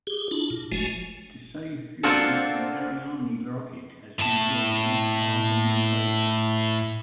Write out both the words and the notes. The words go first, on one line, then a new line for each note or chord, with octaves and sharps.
To save fuel, the Ariane rocket has been launched not far from the equator.
G4 G#4
D4 E4 F4
A#2
F#1 F3 G#3 A3 F#4 G#5
A#3 C4 D4 F4 F#4 A4
A2 A5